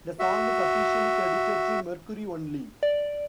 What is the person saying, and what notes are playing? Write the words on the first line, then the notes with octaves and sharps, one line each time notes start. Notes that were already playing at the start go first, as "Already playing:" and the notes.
The song is officially credited to Mercury only.
F#4 E5
D5